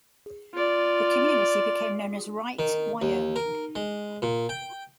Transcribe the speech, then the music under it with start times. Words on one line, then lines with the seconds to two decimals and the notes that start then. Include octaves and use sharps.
The community became known as Wright, Wyoming.
0.54 F4 D5
2.59 D#3
3.02 D#2
3.36 A#4
3.75 G#3
4.22 A#2
4.49 G5